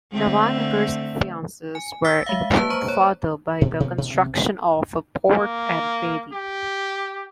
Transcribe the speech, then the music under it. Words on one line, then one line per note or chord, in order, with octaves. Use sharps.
Nawanagar's finances were improved further by the construction of a port at Bedi.
D3 A3 C4
G#5
D6 E6 A6 B6
G#3 E5 F5
A#3 B4 A5
C5 A#5 C#6
C#5
B2
B2 G3 A#3 B3
A1 B2
C3
A#3
G4